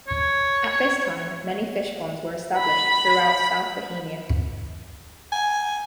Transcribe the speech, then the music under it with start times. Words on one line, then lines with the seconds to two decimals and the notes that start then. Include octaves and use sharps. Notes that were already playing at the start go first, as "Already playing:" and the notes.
At this time many fish ponds were established throughout South Bohemia.
0.08 C#5
2.58 B5
5.32 G#5